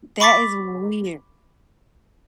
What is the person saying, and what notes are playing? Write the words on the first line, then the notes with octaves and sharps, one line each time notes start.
That is weird.
B5 C#6 D6 A6 B6